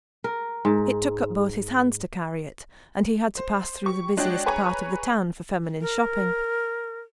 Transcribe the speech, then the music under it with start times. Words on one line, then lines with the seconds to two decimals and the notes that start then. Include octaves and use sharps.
It took up both his hands to carry it; and he had to pass through the busiest part of the town for feminine shopping.
0.24 A#4
0.65 G#2
3.37 C5
3.84 G4 C#6
4.17 G#3 D4 F#4 C#5 D#5 G5
4.46 G#4 B4 C#5 G#5 A#5 C#6
5.81 A#4